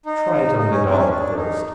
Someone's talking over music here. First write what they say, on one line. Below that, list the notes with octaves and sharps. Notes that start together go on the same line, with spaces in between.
Try it on the dog first.
D#4
D#4
D#4
C#4
C4
D4
C#4
D4
D#4